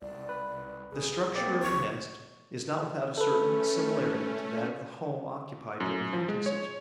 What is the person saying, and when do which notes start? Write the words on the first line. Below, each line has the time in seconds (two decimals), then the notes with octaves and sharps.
The structure of the nest is not without a certain similarity to that of the home occupied during the hunting-season.
0.02 C2 D5
0.29 B4
0.92 B1 G#4
1.35 A#3 C4 D5
1.63 C#2 C#6
3.18 A3 C#4 A4 B4
5.80 F#2
6.13 F3
6.28 G#3
6.46 C#5